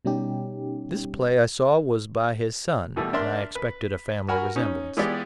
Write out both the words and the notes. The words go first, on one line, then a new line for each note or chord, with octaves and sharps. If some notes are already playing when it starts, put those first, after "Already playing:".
This play, I saw, was by his son, and I expected a family resemblance.
B2 G3 C#4 D#4 G4
B2 E3 G3 A3
D4 A#4 D5 E5 C6
B4
F#4 A#4 G#5 B5
C#4 D#4
E3 G#3 B3 F4 G4 D5